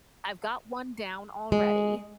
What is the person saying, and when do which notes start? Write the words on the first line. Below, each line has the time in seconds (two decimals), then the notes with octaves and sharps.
I've got one down already,
1.52 G#3